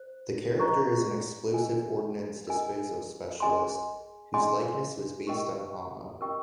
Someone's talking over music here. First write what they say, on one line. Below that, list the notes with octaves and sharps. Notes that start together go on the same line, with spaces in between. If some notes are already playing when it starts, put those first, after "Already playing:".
The character is an explosive ordnance disposal specialist, whose likeness was based on Hama.
Already playing: C5
C5 D#5 A#5 C#6
A#4 D#5 G#5
A#4 D#5 G#5
G#4 D#5 G#5 C6
G#4 D#5 G#5 C6
G4 A#4 D#5 G5 C#6
G4 A#4 D#5 G5 C#6